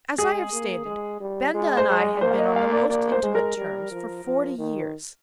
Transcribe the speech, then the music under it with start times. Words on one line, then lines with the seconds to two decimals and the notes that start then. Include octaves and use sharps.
As I have stated, Benda and I had been on the most intimate terms for forty years.
0.18 G#3 G#4
0.53 A#3
0.86 G#3
1.20 G3
1.54 G#3
1.77 C5
1.88 G#3
2.00 D#5
2.21 A#3 C5
2.31 F5
2.39 D#5
2.56 F5
2.73 D5
2.89 A#3 D5
3.12 C5
3.23 G#3
3.35 A#4
3.57 G3
3.91 F3
4.25 F3
4.59 D#3